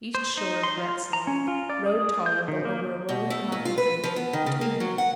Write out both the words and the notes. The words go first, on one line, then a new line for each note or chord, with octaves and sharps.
East shore of Rhett's Lake.--Road tolerable over a rolling, rocky country, between lakes.
C5
D#4
C6
F4
A#5
C#4
F4
D5
G#4
G6
D#3
A#3
B2
A3
A#2
F4
B4
F3
B3
D#3
C#3
A#3
F#3
F#5